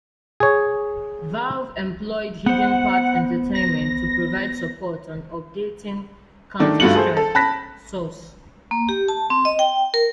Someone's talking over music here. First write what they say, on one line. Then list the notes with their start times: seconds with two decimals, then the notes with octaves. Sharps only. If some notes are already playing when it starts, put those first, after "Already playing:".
Valve employed Hidden Path Entertainment to provide support on updating "Counter-Strike: Source".
0.40 G#4 C#5
2.46 B3 C5 F#5
3.55 A#6
6.60 D#3 A3 D4
6.80 G2 A3 F4 F#4 C#7 F#7
6.95 G#4 A4 C5
7.17 A4
7.35 A5 B5 F#6 A#6 B6
8.71 A#3
8.89 G4
9.08 A5
9.30 C4
9.45 D#5
9.59 G5
9.94 A#4